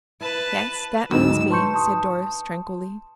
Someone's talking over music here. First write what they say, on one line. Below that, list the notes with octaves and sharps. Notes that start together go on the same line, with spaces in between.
"Yes, that means me," said Doris, tranquilly.
E4 B4 A5
D2 G#2 D#3 F#3 E6
B4 A5 C6 C#6 G6 C#7
A5 C6 D#6